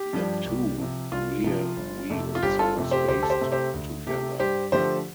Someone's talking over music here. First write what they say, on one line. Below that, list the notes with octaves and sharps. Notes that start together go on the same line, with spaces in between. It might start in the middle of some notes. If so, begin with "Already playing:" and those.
The two rear wheels were spaced together.
Already playing: G4
G2 F3 D4
C2
C3 F3
C2 F4
C3 F3
G1
F2 C3 A3
F4
G1 G4
F4 A4
F2 C3 A3
G4 C5
D2 G4 C5
A4
G4 C5
C3 A3
G4 C5
D2
C3 A3 G4
G2 G4 C5
D3 F3 A3 G4 C5